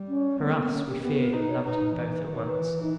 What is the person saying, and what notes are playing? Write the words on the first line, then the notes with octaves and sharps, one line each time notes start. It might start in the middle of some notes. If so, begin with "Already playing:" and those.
For us, we feared and loved him both at once.
Already playing: G3
C#4
A#3 B3
B3
C#4
G4
B3 G4
A#4
D#4 B4
C#5
D#4 B4
E3
D#3 B4
C#5
B4
E3
D#4